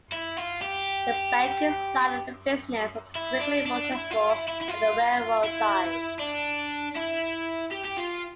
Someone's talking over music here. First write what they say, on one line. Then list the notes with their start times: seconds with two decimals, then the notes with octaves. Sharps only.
The banking side of the business was quickly more successful than the railroad side.
0.12 E4
0.37 F4
0.62 G4
3.15 E4
3.41 D4
3.66 D4
3.92 E4
4.11 F4
4.30 E4
4.49 E4
4.61 E4
4.68 F4
5.44 E4
6.19 D4
6.96 E4
7.72 G4
7.85 G4
7.97 F4